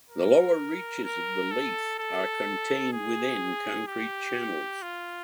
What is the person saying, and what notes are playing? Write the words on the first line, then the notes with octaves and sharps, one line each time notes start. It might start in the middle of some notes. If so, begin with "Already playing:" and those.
The lower reaches of the Leith are contained within concrete channels.
A#4
A#4
A4
A4
G#4
G4
F4